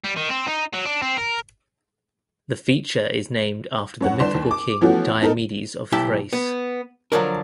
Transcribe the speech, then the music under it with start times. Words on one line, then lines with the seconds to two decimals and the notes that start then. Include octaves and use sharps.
The feature is named after the mythical king Diomedes of Thrace.
0.04 G3
0.16 D#3
0.29 C4
0.47 D#4
0.73 F#3
0.85 D4
1.02 C4
1.17 A#4
4.01 F#2 C#5 F#5
4.19 G1 D4 C6 E7
4.35 D#2
4.51 D6
4.81 E3 F3 A3 B3 C#4 F#4
5.21 B3 D#4 A4 A#4
5.92 B1 E4 G4 A5
6.33 B3
7.12 D3 D#3 F3 F#3 D4 A#4